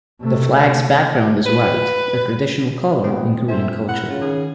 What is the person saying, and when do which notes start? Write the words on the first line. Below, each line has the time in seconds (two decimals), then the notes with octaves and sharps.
The flag's background is white, a traditional color in Korean culture.
0.21 C3 A3
1.46 B4
3.04 A#2 G#3 B3 C4
3.48 A4 C5 E5 G#5
3.88 E4 A#4 F#5
4.10 C#3 F4
4.21 D#3 G#4